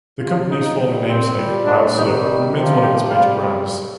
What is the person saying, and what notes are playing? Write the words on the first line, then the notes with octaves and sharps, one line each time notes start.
The company's former namesake, Dial soap, remains one of its major brands.
C3 F3 F4
D#4
A#2 G3
C4
A#2 G3
D4
C3 D#3 G3 D#4
C3 F3
G4
C3 G3 F4